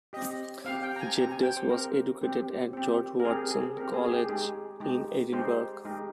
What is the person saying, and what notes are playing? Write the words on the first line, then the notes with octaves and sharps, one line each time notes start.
Geddes was educated at George Watson's College, in Edinburgh.
C4 G4 D#5
C4 G4 F5
G5
A#5
G#5
C4 G4 A#5
G#5
G5
C5
C4 G4 A#4
C4 G4
C4 G4
A#4
C4 G4 G#4
G#4
C4 G4 A#4
G#4
G#4
G4
G#3 D#4 G4 G#4
G#3 D#4 G4
G#3 D#4 G4 C5
G#3 D#4 G4